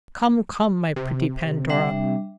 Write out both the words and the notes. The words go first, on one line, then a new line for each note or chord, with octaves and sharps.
Come, come, my pretty Pandora!
C3
G3 D4 E5